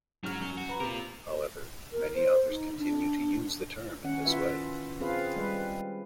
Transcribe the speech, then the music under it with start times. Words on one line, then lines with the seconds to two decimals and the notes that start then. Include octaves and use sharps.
However, many authors continue to use the term in this way.
0.24 G#2 C#3 F#3 F6
0.41 F#2 G7
0.57 F#4
0.69 B4 A#5 B5
0.80 C3 F4 A#4
1.93 A#4
2.15 C5
2.49 D#4
2.79 D4
4.04 D#3 C#4 F#5
4.25 E4 F4 B4 E5
5.01 C4 F4 G#4 B4 F5
5.37 G3 G#3 B4